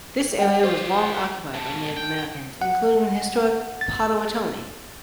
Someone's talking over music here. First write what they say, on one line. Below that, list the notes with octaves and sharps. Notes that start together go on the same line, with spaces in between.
This area was long occupied by Native Americans, including the historic Potawatomi.
F#5 G5
F4 G4 C5 D5
G#2 B2 A5
G5
F#5
A6